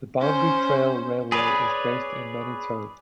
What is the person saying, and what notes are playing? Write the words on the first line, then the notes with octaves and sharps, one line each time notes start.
The Boundary Trail Railway is based in Manitou.
C#4 C5
G#4 B4 C#5 D5